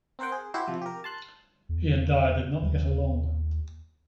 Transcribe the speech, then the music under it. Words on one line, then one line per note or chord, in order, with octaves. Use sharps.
He and Dyer did not get along.
C4 A#4 C5 F#5 G5
G#4
E4 F#4 G4 C5
C3 F3
G4 A#4
A5 C6 F#6
E2
D#2